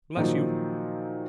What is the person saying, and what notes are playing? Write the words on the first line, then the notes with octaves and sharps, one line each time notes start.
Bless you!'
A#2 D#3 F3 F#3